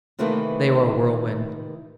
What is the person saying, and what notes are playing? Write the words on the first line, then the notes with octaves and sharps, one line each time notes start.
They were a whirlwind.
C3 D#3 E3 A3 A#3